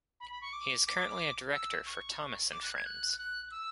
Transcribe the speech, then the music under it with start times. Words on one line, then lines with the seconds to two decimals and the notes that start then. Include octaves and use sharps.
He is currently a director for "Thomas and Friends".
0.20 B5
0.31 B5
0.42 C#6
0.53 D6
0.87 D6
1.52 E6
1.86 C#6
2.52 D6
2.63 F#6
2.75 G#6
2.86 F#6
3.18 F#6
3.51 E6